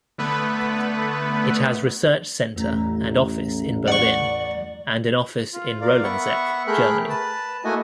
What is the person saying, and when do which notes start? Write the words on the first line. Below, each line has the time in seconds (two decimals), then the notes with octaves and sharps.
It has research centre and office in Berlin, and an office in Rolandseck, Germany.
0.18 D3 A3 B3 B4
2.56 A1 E2 A3 A#5
3.88 D5 F#5 C#6
5.54 F4
5.81 A#4 D5 F5
6.03 B3 E5 F#5 C#6
6.67 A3 G#4 A#4 G5 B5 F#6
7.09 B4 A5
7.64 A3 A#3 E4 F#4 D#5 G#5